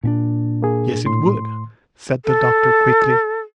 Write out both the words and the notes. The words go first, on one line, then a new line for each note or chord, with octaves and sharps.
"Yes, it would," said the Doctor quickly.
A#2 C#4 D4
A#3 G#4
A2 C6
A4